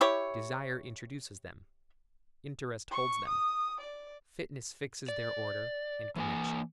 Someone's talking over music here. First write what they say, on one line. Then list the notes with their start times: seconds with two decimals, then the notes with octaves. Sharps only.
Desire introduces them; interest holds them; fitness fixes their order and connection.
0.01 E4 G4 C#5
2.92 C#6
3.28 D#6
3.81 D5
5.09 D5
6.16 E3 A#3 D#5 G#5